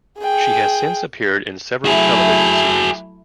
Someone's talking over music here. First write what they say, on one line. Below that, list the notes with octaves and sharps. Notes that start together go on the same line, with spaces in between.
She has since appeared in several television series.
G#4 G5
F#3 A3 E4 F#4 G#4